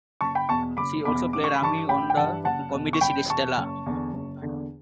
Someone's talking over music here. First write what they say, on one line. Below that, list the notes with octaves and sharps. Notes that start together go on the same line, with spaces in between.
She also played Amy on the comedy series "Stella".
F#1 A5 C#6
G5 B5
E2 B2 A5 C#6
F#1 B5 D6
E2 B2 B5 D6
A1 D6
C#6
B5
G2 E3 A5 C#6
A1 G5 B5
G5
G2 E3 F#5 A5
F#1 F#5 A5
E2 B2
C#6
F#1 G5 B5
E2 B2 A5 C#6
F#1
E2 D3
F#1
E2 D3